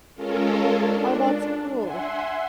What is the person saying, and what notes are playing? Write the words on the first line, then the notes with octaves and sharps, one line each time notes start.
Oh, that's cool.
G#3 C#4 F4 A4 A#4
D4
E5 F#5 G#5 C6